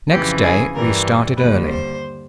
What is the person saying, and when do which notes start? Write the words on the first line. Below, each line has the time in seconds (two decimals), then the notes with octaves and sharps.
Next day we started early.
0.11 F2 C#3 E3 G4
0.43 G#4
0.75 G2 E3 G3 A#4
1.37 D#2 D3 G3 B4
1.69 C5